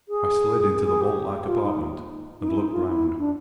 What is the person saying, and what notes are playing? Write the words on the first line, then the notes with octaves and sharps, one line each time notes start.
I slid into the vault-like apartment, and looked round.
G#4
G#4
G4
F4
D#4
D#4
E4
D#4
F4
E4
D4